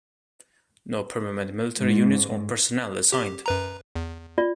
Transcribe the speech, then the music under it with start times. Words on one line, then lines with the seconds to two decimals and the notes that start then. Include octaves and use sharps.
No permanent military units or personnel assigned.
1.80 G#2
3.12 G4
3.46 F#2 B4 A#5
3.96 E2
4.38 F4 D5